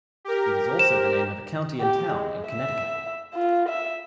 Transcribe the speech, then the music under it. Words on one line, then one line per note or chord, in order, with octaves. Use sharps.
It is also the name of a county and town in Connecticut.
G4 A#4
C5 E7
G4
G#3
E5
F4
E5